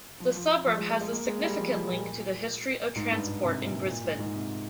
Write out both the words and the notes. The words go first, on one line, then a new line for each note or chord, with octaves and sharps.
The suburb has a significant link to the history of transport in Brisbane.
F3
F3
F3
G#3
G#3
G#3
A#3
G#3
G3
F3
F3
A#2
G#2
G2
G#2
C3
A#2
A#2
G#2
G#2
C3